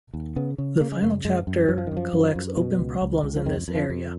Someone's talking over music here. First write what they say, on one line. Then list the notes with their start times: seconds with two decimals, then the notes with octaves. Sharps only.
The final chapter collects open problems in this area.
0.14 D#2
0.36 C#3 B3
0.58 C#3
0.80 C#3 A#3
0.92 G#3
1.02 F#2 A#3
1.25 F#2 G#3
1.47 F#2
1.68 F#2 F#3
1.78 F3
1.87 D#3
1.91 F#2
1.97 F3
2.13 F#2
2.35 F#2
2.57 B2
2.79 C#2
3.02 C#2
3.23 C#2
3.36 F3
3.45 F2 D#3
3.68 F2
3.75 F3
3.90 F2